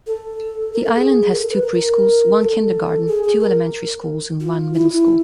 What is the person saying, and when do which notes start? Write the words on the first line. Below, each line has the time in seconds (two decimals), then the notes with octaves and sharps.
The island has two pre-schools, one kindergarten, two elementary schools and one middle school.
0.07 A4
0.73 A#4
0.84 A4
0.95 G#4
1.31 A#4
1.39 A4
1.51 B4
1.62 A#4
1.73 A#4
2.40 A4
3.07 G#4
3.23 G#4
3.40 A#4
4.40 F4
4.74 E4
4.90 E4